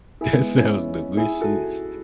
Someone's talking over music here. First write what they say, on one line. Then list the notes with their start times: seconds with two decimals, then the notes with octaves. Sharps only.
that sounds delicious.
0.21 E4 G#4
0.33 G#3 B3
0.57 C#4 E4
1.17 E4 G#4
1.41 F#4 A4